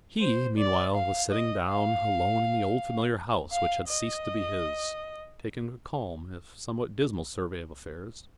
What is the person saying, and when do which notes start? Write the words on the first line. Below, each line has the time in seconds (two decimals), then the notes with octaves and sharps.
He, meanwhile, was sitting down alone in the old familiar house which had ceased to be his, taking a calm if somewhat dismal survey of affairs.
0.21 C5
0.57 D5
0.94 F5
1.31 D#5
1.68 F5
3.52 F5
3.88 D#5